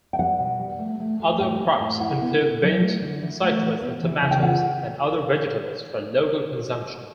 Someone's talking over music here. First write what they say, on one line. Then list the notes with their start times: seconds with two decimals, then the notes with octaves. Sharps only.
Other crops include beans, citrus and tomatoes, and other vegetables for local consumption.
0.13 G5
0.19 G3 F#5
0.40 B2
0.59 G3
0.79 A3
1.00 A3
1.20 A3
1.40 A2 G5
1.60 A#3
1.80 A2
2.00 E4 F#5
2.21 B3
2.41 B3
2.62 F#3
2.81 A3
3.02 D3
3.22 E3
3.42 A3
3.63 E3
3.82 B3
4.03 E3
4.22 C#3
4.31 G5
4.43 F4 F#5